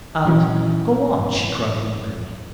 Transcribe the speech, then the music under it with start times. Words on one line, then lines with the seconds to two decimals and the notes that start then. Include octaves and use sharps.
And--'Go on,' she cried eagerly.
0.25 A#2 E3 F#3 C#4 D#4 E4